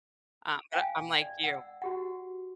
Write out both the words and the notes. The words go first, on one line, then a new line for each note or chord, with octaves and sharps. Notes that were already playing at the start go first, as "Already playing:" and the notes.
Um, but a I'm like you
F5 G5 G#5
D5
F#5 E6
F#4 G4 F#5